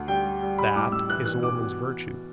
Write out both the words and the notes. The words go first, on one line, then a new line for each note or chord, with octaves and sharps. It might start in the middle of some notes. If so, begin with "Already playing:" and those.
That is a woman's virtue.
Already playing: D2
G3 G5
G3
G3
G3 B5
A2 D6
A2 E6
E3 F#6
E3 F#6
E3 D6
B2